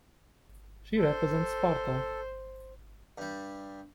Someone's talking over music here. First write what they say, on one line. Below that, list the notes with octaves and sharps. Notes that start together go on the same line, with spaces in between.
She represents Sparta.
A4 C5
G2 G3